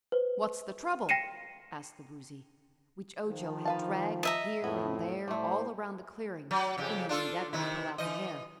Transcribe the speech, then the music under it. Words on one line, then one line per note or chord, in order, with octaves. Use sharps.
"What's the trouble?" asked the Woozy, which Ojo had dragged here and there all around the clearing in his endeavor to pull out the hair.
B4 C5
G5 A#6 C7 C#7 D#7 E7
D#3 F3
B4 F5 A5
D#5 E5 A#5
F2 A2 B3
A2 G3 A3 C5
F#3
F2 C#3 G4
D4 F4 A4
C3 D#3 E4
E3 D#5